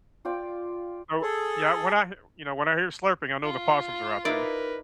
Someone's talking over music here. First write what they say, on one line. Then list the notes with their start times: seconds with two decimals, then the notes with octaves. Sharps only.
So, yeah, when I h you know, when I hear slurping, I know the possums are out there.
0.25 F4 D5 G5
1.22 G#4 A4
3.43 F4
4.25 D#4 E4 A#4 B4 D5